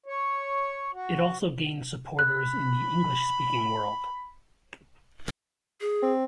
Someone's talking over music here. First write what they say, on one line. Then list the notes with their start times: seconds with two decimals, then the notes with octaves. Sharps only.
It also gained supporters in the English-speaking world.
0.06 C#5
0.93 F#4
2.19 B5 F#6
5.81 G#4
6.03 C4